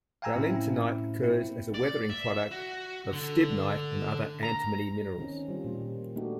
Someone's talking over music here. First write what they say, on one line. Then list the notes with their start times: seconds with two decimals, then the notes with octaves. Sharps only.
Valentinite occurs as a weathering product of stibnite and other antimony minerals.
0.22 F5 G5 G#5 A#5 E6
0.35 A2 C4 C#4 E4
1.21 A#3 C4 E4
1.74 D5
2.10 E5
2.52 F#4
3.12 D3
4.43 A#5
5.18 D#3 C4 C#4 D#4
5.48 G3 C4 F4
5.64 A#2 G3 A#3
6.16 A3 A#3 D4 D#4 F#4 G4